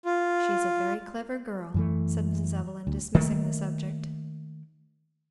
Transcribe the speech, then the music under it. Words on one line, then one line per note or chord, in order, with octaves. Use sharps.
"She's a very clever girl," said Mrs. Evelyn dismissing the subject.
F4
F#2 E3 A3
D2
D#3 A3 A#3